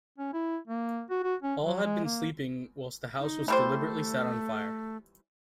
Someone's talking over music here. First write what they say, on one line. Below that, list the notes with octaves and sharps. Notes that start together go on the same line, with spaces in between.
All had been sleeping whilst the house was deliberately set on fire.
C#4
E4
A#3
F#4
F#4
C#4
F#3
G#3
A#3
D#4
E3 G3 A3 C5